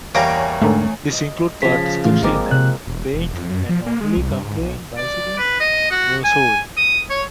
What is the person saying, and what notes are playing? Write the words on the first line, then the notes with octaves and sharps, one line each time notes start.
This included part specifications and paint, and only complete bicycles were sold.
E2 G3 A#3 C#5 A#6 D7
G#2 D3 A3 A#4
D#5
C#3 F3 B6
A2 E3 A3 F4
G#1 G#3 A#3 C4 D6
C3 F#6
E1
E1
F2
F#2
F3
A#3
G#3
C2
G2
G#2
B1
D5
B4
D#5
F#4
G#5
D#6
C#5